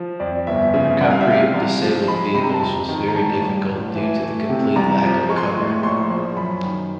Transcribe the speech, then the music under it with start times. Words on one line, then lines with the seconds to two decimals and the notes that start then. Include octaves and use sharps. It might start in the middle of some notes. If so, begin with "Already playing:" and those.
Recovery of disabled vehicles was very difficult due to the complete lack of cover.
Already playing: F3
0.20 F2 D5
0.47 G1 E5
0.73 C#3 E5
1.01 C2 F#5
1.11 F5
1.21 E5
1.28 C3 F5
1.54 C2
1.81 F3
2.07 G#3 B5
2.34 C3 B5
2.43 A#5
2.52 A5
2.61 F2 A#5
2.89 D#3
3.08 A#5
3.15 A1 A5
3.42 G2
3.68 A1
3.95 E3
4.23 A3
4.49 C3
4.76 C2 A#5
5.03 F3
5.29 G#3 C#6
5.37 C6
5.46 C#6
5.57 A2
5.71 C#6
5.83 A#1 C6
6.10 F3
6.36 F#2 B5
6.64 D#3